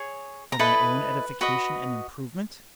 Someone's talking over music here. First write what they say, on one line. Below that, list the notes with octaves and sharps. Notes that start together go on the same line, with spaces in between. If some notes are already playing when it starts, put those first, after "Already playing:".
For my own edification and improvement?
Already playing: G#4 C#5
A#5
E4 A4 B4 D#5 B5
F#4 B4 D#5